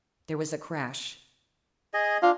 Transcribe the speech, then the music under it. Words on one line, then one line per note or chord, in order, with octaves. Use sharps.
There was a crash!
G#4 D#5
D4 F4